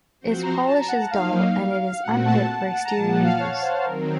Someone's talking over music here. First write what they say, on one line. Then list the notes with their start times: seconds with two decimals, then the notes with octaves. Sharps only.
Its polish is dull and it is unfit for exterior use.
0.20 F3 C4 F#4 C5
0.43 A#5
0.65 A5
0.88 F#5
1.11 F#3 A#3 D#4 F5
2.02 A#2 A3 C4 F#4 F#5
2.25 A5
2.85 A#5
2.93 A#2 F3 A#3 A5
3.08 F#5
3.23 F5
3.39 C#5
3.62 C5
3.85 D#3 F#3 C4 A#4